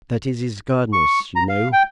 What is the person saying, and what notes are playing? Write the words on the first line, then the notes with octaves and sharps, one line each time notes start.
That is his Godness, you know.
C#6
A#5
F5
G5